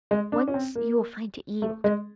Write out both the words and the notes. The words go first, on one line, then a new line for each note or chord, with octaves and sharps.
Once you will find it yield.
G#3
D4
C#4
C4
A#3
A3
G#3